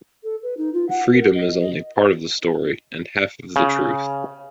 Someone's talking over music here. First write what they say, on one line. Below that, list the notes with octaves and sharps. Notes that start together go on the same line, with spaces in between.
Freedom is only part of the story and half of the truth.
A4
B4
D#4
F4
F#5
A#4
D#5
D#5
C#3